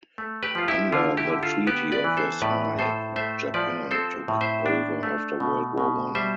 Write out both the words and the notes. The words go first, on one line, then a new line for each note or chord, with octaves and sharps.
Under the Treaty of Versailles, Japan took over after World War One.
A3
G4 B4
F3 F4
E4 G4
D3 F4
E4 G4
D3
F4 A4
B3 G4 B4
B4 D5
E3
A4 C5
A2 B4 D5
A2 A4 C5
A3 C5 E5
F3 B4 D5
C4 A4 C5
A2
C5 E5
D4
A3
B2
B2
G3 C5 E5